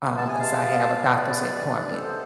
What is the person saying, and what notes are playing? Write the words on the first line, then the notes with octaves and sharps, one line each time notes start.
um, 'cause I have a doctor's appointment."
C3 G#3 B3 A5
G#5
F5 A5
C3 G#3 B3 B4 D5
C3 G#3 B3 A4 C5